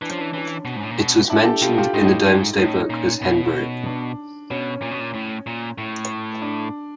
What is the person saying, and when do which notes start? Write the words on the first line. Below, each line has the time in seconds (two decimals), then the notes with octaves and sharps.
It was mentioned in the Domesday Book as "Henberie".
0.02 E3 D4
0.10 F3 C#4
0.17 E3 D4
0.33 E3
0.65 B2
0.76 G#2
0.83 A2
0.91 A#2
0.98 B2
1.30 D4 E4
1.45 G4 A4
1.62 B2 F4 G4
1.78 F4 G4
1.94 A2 D#4 F4
2.26 G#2
2.58 A2 C#4 D#4
2.90 A#2
3.22 B2 C#4
3.86 D4
4.51 B2 C#4
4.82 A#2
4.91 B2
5.00 A#2
5.14 A2
5.46 A#2
5.78 A2
6.42 D4